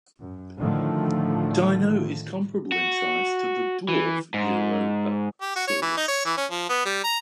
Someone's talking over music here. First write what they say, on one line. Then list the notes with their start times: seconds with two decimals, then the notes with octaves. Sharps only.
Dino is comparable in size to the dwarf "Europasaurus".
0.21 F#2
0.60 A2 D3 D#3 F3 A3
2.72 F#4
3.88 E3
4.34 G#2
5.41 G4
5.56 F#4
5.67 C#5
5.82 E3
5.97 D#4
6.08 C#5
6.25 E3
6.37 C#4
6.51 F3
6.69 B3
6.85 G3
7.04 A#5